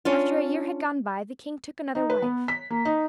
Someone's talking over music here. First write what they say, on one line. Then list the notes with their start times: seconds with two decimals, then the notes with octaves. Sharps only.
After a year had gone by, the king took another wife.
0.05 C#4 D4 F4
1.95 D#4
2.10 B4
2.22 B3
2.48 B6
2.70 A#3
2.85 D#4